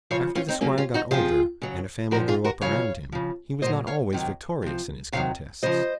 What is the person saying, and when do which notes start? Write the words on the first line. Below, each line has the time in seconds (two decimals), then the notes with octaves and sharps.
After the squire got older, and a family grew up around him, he was not always victorious in his contests.
0.11 C#3 F3 C#5 F5
0.35 C#4 F4
0.48 C4 D#4
0.61 C3 F#3 A#3 C#4
0.78 C#4 F4
0.94 D#4 F#4
1.11 C3 F3 F4 G#4
1.62 C#3 F#3
2.11 A#2 F3 F#4 A#4
2.28 F4 G#4
2.44 F#4 A#4
2.61 C#3 F3 C#5 F5
3.12 C#3 F3
3.62 A#2 F#3 C5 D#5
3.87 C#5 F5
4.13 C3 D#3 F#3
4.62 C3 F3
5.12 C3 D#3 F#3 C#5 F5
5.63 C#3 F3 C5 D#5